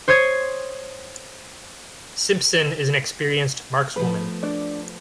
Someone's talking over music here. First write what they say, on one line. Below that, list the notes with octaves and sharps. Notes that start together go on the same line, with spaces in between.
Simpson is an experienced markswoman.
C5 C#5 D#6 G#6
F3 A3 B3 B4
D4 D5